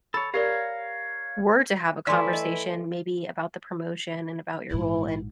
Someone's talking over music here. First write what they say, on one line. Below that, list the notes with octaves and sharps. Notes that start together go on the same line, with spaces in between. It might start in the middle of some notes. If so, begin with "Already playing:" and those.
were to have a conversation maybe about the promotion and about your role and
A4 C#5 B5
G4 A#4 C#5 D5 F5 A#5
E3 A3 E4 B4 D5 E5 C6 D6
D#5
A#1 G#2 E4